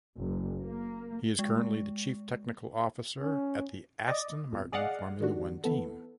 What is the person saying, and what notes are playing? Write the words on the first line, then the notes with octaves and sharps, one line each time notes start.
He is currently the chief technical officer at the Aston Martin Formula One team.
F#1
A#3
G#3
C#4
D5 D#5
A1 F2 B2
G#4 D5 D#5 F5 F#5
G#2 D#3 G3 D4 F#4
E3 B3 A4